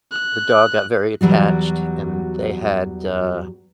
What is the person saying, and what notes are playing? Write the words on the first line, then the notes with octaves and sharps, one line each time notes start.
the dog got very attached, and they had, uh,
F#6
E2 F#3 G3 F#4